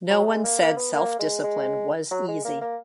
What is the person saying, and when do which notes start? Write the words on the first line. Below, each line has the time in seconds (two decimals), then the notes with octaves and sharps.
No one said self-discipline was easy.
0.10 F#3
0.27 G#3
0.43 A#3
0.61 A#3
0.77 B3
0.93 A#3
1.19 G#3
1.44 G#3
2.11 F#3
2.28 G#3
2.45 A#3
2.61 A#3